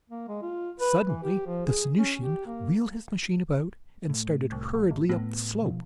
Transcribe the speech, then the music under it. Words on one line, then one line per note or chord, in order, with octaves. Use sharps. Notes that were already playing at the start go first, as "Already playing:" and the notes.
Suddenly the Sanusian wheeled his machine about and started hurriedly up the slope.
A#3
G#3
F4
B4
E3
G4
F3
G#4
C#4
G4
A#3
A2
C2
A#1
G#1
A2 B3
B2 F3